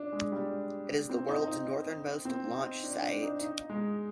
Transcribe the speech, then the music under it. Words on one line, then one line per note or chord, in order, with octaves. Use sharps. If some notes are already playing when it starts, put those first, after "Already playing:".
It is the world's northernmost launch site.
Already playing: D4
G#3
G3
C4
D#4
D#4
C4
D#4
D4
D4
D#4
D#4
G#3